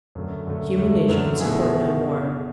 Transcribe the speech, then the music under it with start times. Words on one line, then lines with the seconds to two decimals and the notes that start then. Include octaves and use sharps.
Human nature could support no more.
0.15 F#2 D3 A3
0.47 F#2 D3 A3
0.78 F#2 D3 A3
1.09 F#2 D3 A3
1.40 B2 A3 E4 G#4